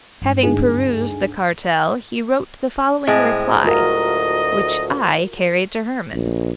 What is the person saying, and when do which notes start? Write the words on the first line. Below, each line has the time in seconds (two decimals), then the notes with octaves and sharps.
Having perused the cartel, he wrote the following reply, which I carried to Hermann.
0.22 G2 G#3
0.43 D2 G#2 G#4
3.07 A2 G#3 C4
3.65 D2 F4 F#4 A#4 D#5
6.13 A#1